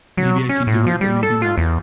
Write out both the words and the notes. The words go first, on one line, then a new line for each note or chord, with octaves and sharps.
Maybe I can do it, but maybe not.
F#3
C#4
A2
F3
G3
A4
F4
E2